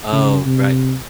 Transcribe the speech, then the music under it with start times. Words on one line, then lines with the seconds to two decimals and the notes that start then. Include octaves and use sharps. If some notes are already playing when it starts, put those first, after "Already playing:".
Oh, right.
0.12 C#3
0.45 C3